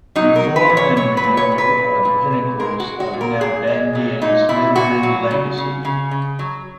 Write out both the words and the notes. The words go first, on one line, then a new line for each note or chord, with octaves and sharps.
Reform and renewal are the pinnacles of Nalbandian's literary legacy.
F#3 D#4
A#4
F#3
B4
A#2
C#5
F#3 C#5
B4
A#2
C#5
A#2
B4
A#2
A#2
A#2
G#3 A#4
F#4
G#3
F#4
A#2
A#4
A#2 G#4
G#3
A#2
A#2 D#4
A#2 E4
A#2 F#4
F#3
C#3
C#3
C#3
C#3
F#3